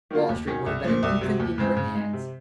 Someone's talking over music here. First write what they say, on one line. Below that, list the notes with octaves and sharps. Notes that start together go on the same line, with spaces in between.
"Wall Street would have been an infant in your hands."
D#3 F#3 A#3 F4
D#2
D#3 F#3 C#4
C2
A#2 F3
C2
C3 F#3
D#2
C#3 G#3 C4
C#3
G#3 D#4
C3